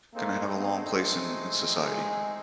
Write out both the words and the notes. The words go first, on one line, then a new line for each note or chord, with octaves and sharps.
gonna have a long place in in society.
A3 A#3 C4 D#4 G#4 C5
B3
G#3